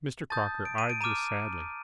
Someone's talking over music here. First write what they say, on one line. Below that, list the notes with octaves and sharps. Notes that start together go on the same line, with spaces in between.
Mr. Crocker eyed this sadly.
A5 D#6 G6 A6
D7
D#7
D7
A#5 D6 F6 D#7